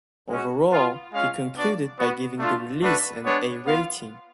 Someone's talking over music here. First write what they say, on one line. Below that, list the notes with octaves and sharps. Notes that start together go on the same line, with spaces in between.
Overall he concluded by giving the release an "A" rating.
G#3 C#4 F#4
B3 F4
G#3 C#4 F4 F5
B3 D4 F#4 D5
B3 F#4
A3 D4 F4
A3 D4 F#4 B4
G#3 B3 D4 C#5
B3 F4 F5